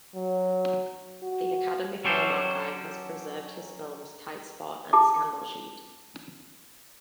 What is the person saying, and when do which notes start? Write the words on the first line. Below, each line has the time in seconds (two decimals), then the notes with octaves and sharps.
The Academy Film Archive has preserved his films "Tight Spot" and "Scandal Sheet".
0.15 F#3
1.23 F#4
2.05 F#3 C#4 G4 A4 C5
4.93 G4 A5 D6